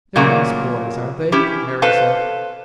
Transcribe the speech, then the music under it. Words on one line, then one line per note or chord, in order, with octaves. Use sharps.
"They're nice boys, aren't they?" Mary said.
A#2 C#3 F#3 A3 A#3
C#4 E4 G4
A4 B4 C5 F5 A5